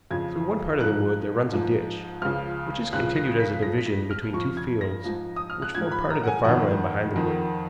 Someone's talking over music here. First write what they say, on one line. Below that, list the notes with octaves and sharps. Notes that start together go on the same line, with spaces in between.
Through one part of the wood there runs a ditch, which is continued as a division between two fields which form part of the farm land behind the wood.
F2 C#3 F3 G#6
G#2 F3 F#6
G#2 F3
C#2 C#3 F3 F6
C#2 C#3 F3 F#6
A#6
B6
F2 F3 A#6
B6
A#6
F6
F2 F3 C#6
G#6
A#6
G#2 F3
D#6
F6
F#6
G#2 F3 G#6
B5
A#5
F#5
G#5
F2 D#3 F#5
F2 D#3